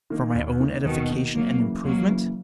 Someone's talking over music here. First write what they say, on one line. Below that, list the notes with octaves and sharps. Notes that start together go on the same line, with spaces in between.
For my own edification and improvement?
D#3 A#3 D#4
D#2
D#3 A#3 D#4
D#2 B2 D#3
D#3 A#3 D#4
C#2 F#3 A#3
C#3 E3 A#3
C#2 F#3 A#3
C#3 E3 A#3